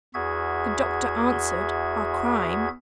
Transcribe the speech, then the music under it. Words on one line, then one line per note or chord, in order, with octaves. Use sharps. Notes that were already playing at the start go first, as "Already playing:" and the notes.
The doctor answered, "Our Crime."
E2 F#4 G#4 E5 G#6